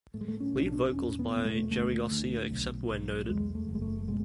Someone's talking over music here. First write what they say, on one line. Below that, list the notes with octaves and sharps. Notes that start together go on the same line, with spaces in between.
Lead vocals by Jerry Garcia, except where noted.
A2 A3
G#3
A3
C#4
B1
C#4
D4
E1 C#4
B3
E1
A3
D2 A3
D2
B1
B1
E2 G#3
A3
F#1
G#3
A3
B2 G#3